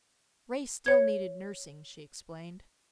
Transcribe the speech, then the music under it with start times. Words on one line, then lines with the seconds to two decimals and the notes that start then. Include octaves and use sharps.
Ray still needed nursing, she explained.
0.86 C#5 G#6